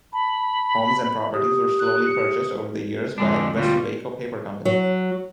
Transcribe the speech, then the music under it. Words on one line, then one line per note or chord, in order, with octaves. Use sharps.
Homes and properties were slowly purchased over the years by Westvaco paper company.
A5 B5
G4 D#6
F#6
C#7
F2 D3 G#3 D4
D2 B2 G3 F4
F#3